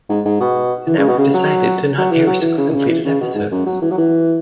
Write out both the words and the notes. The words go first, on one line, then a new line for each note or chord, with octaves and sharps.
The network decided to not air six completed episodes.
G#2
G#2
B2
E3
C#3
B2
C#3
F#3
F#3
E3
F#3
E3
C#3
E3
C#3
E3
C#3
B2
G#2
F#2
F#3
E3
F#3
E3